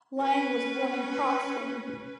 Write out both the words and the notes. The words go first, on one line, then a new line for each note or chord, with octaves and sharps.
Lange was born in Potsdam.
C#4 B4